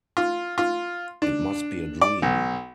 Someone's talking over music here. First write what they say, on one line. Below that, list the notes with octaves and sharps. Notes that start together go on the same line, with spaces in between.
It must be a dream!
F4
F4
D4
D5
B1